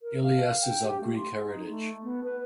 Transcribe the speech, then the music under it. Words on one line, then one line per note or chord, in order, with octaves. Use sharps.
Ilias is of Greek heritage.
A#4
F5
G5
G4
A3
C6
D#4
A3
B3
B4